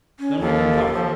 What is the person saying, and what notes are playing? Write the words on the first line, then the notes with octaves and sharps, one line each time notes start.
Then we can talk.
C#4
D#2 A4
F3 A4